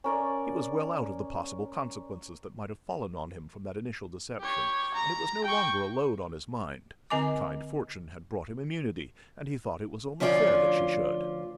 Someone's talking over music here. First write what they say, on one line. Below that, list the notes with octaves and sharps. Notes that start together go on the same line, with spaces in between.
He was well out of the possible consequences that might have fallen on him from that initial deception, and it was no longer a load on his mind; kind fortune had brought him immunity, and he thought it was only fair that she should.
C#4 A#4 D5
G4 C#5
A#5
G5 C#6
D3 C4 D#5 G#5 A#5 D6
D2 F3 C#4 F4 D5